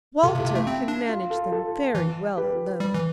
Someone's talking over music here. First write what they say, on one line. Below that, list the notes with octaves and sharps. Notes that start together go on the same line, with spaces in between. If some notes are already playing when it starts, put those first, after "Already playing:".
Walter can manage them very well alone.'
C3 F4 A4
C3
E4 G4
C3
A3 E4
C4
D4
F4
F4 A4
F4 A4
E3
G4 B4
G3
E3